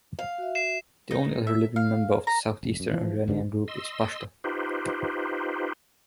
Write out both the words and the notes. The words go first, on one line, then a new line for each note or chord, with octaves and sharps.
The only other living member of the Southeastern Iranian group is Pashto.
F5
F#4 E5
C7 E7
D#4
E5
F5
A#5
F1
F#2
E3 F3
G1 G2 D3
D#5 C6 E6
D#4 F4 G4 B4 C5